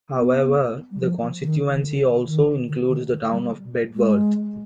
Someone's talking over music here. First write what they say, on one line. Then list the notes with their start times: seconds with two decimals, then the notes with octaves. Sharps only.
However the constituency also includes the town of Bedworth.
0.16 B3
0.91 G3
1.00 F3
1.42 D#3
1.73 D#3
1.84 D3
2.27 D#3
2.68 D3
2.90 D3
3.11 D3
3.31 G3
3.95 G#3